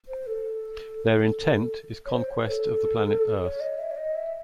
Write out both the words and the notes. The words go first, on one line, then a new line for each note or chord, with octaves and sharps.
Their intent is conquest of the planet Earth.
C5
A4
C#5
C5
C#5
A4
C#5
D#5
E5
C#5
D#5
E5